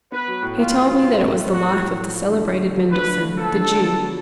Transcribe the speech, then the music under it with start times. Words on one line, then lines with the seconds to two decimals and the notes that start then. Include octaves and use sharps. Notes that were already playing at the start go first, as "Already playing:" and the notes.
He told me that it was the Life of the celebrated Mendelssohn, the Jew.
0.12 B3 B4
0.28 F#3
0.43 A2
0.58 A2 F4
0.74 B3
0.89 F#3
1.05 A2
1.20 A2
1.36 B3
1.51 F#3 F#4
1.66 A2
1.83 A2
1.98 A3
2.13 F3
2.29 D3
2.44 D3
2.59 A3
2.76 F3
2.91 D3 B4
3.06 D3
3.22 A3
3.37 F3 A4
3.52 D3
3.68 D3
3.84 B3
4.00 F#3